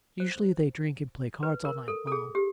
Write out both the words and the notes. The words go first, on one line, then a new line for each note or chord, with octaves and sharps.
Usually they drink and play cards all night long.
C5
B4
A#4
A4
A4
G#4
G4